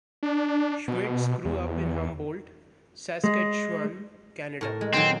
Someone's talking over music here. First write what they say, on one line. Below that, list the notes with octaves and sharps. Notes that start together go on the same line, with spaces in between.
Schmidtz grew up in Humboldt, Saskatchewan, Canada.
D4
B2
E2
G#3
A2 A#4 A5
G#3
A#2 D#3 F#3 C4